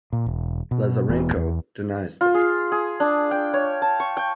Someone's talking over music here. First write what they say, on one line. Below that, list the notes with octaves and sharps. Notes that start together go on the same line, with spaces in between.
Lazarenko denies this.
A#2
E1
B2
E1 E3 B3
E2
F4
G#4
G#4
D4
G5
C#5
A5
C#6
G5